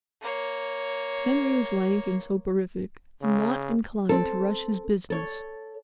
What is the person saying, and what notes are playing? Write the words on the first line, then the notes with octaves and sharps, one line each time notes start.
Henry was lank and soporific, and not inclined to rush his business.
A#3 C#5
C#3
C4 A4
A4 C#5